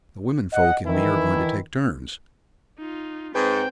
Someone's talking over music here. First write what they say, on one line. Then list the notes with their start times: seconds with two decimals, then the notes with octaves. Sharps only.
The women folks and me are going to take turns.
0.53 D#5 F#5
0.86 D#3 E3 E4
2.78 D#4 F4
3.35 G#2 C4 B4 C5 G5